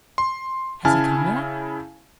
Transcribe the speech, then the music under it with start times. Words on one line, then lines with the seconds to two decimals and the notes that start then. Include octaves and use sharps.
"Has he come yet?"
0.18 C6
0.85 C#3 E4 G#5 A5 F6